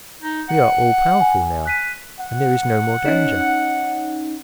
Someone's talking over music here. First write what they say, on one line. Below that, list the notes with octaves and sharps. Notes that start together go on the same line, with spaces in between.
We are all-powerful now, and there is no more danger.
D#4
F#5
G#5
F#6 B6 D#7
F#5
C#4 D#4